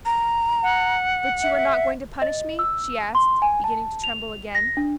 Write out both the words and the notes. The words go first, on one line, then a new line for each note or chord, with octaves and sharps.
"But you are not going to punish me?" she asked, beginning to tremble again.
A#5
F#5
E5
D#5
E6
C6
G#5
A5
F7
A#6
D4